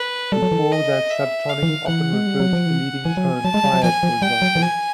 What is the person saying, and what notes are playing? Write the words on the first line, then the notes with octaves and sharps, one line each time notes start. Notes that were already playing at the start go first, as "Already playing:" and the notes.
Before that subtonic often referred to the leading tone triad, for example.
Already playing: B4
G3 A4
F#3
E3
D#5
E5
F5
E3
D#3
E3 F#5
G#3
G3
F#3
F3
E3
E3 G#5
F#3
F3
F#3 A5
G#3
G3
F#3
F3 G#5
F3
G3 G5
F#3
E3
F3 G#5